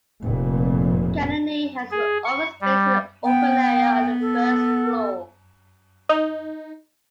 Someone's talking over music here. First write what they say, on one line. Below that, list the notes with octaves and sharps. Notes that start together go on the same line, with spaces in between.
Giannini had his office space in an open area on the first floor.
F1 A#2
G#4
C#6
G3
B3 G5
A4
D#4